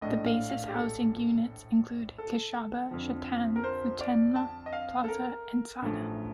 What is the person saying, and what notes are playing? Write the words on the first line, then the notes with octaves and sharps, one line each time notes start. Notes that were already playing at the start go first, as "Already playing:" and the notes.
The base's housing units include Kishaba, Chatan, Futenma, Plaza and Sada.
A#1 A2 A3 D4 D#5
F5
F5
G4
A4
A4
F2 D3 F3
A#4
C5
D5
A5
D#5
F5
A4
A#4
A1 G2 F3 A3